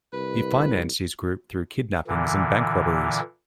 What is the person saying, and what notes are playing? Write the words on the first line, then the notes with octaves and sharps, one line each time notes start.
He financed his group through kidnappings and bank robberies.
C2 B4
A#2 D3 E3